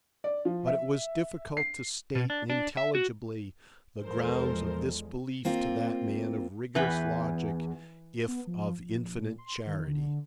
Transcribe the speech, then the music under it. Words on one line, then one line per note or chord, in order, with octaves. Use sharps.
But it was difficult to state intelligibly the grounds of this belief to that man of rigorous logic, if of infinite charity.
D5
F3
E5
C7
B2
D4
D4
E5
F#4
E2 F3 G#3 A4 A#4 C5
A#3 C4 F4
E2 E3 B4 G5
B3
F3
A#1
A#1
A#2
C6
D#3
D3
D3